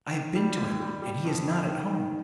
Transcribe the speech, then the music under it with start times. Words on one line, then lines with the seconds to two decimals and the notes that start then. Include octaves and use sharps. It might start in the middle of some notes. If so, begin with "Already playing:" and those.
'I have been to him, and he is not at home.
0.12 D#3
0.35 G3
0.57 D#2
0.80 G3
1.02 G3
1.25 F2
1.47 F2
1.70 D#3
1.93 D#3